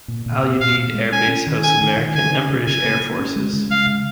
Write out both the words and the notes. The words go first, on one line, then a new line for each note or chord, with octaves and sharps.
Al Udeid Air Base hosts American and British air forces.
A#2
A#2
A#2
A#2 F5
A#2
G#3
C#4 G#5
C#4
D#3
C#4 G#5
D#3
D#3
C#3 G#5
C#4
C#3
C#3 G#5
A#3
A#3
C#4
G#3
C#3
G#3 F5
C#3